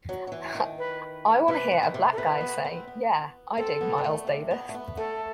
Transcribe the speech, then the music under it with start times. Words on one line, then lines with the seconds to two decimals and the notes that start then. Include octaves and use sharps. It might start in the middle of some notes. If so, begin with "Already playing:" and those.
I wanna hear a black guy say 'Yeah, I dig Miles Davis.
0.09 F#3
0.27 F#3
0.32 E3
0.55 D#3
0.78 B4
1.48 C3 B4
1.71 C3
1.83 D#3
1.94 C3
2.13 A4
2.18 C3 B4
2.41 B3
2.64 C4
2.88 B3
3.57 C4 A4
3.81 B3
3.98 G3
4.04 A3
4.27 C3
4.51 B3
4.69 A3
4.74 B3
4.97 A3 A4